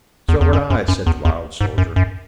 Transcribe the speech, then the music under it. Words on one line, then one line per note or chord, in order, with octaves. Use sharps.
"So would I," said the loud soldier.
E2
E2
F#2
F#2
F#2
E2
E2
G#2
F#2
F#2